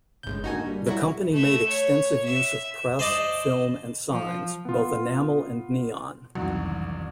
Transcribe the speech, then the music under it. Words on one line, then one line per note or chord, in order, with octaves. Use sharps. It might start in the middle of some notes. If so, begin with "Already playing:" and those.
The company made extensive use of press, film and signs, both enamel and neon.
G1 C#3 G#3 G6
D3 A#3 D#4 F#4 G#5
G3
F#3 E4 F#4
A3 E5
C#5
E5
C5 D5 D#5 A5 D6
F3
B3 F4
F#1 C2 F2 D#3 E3 F#3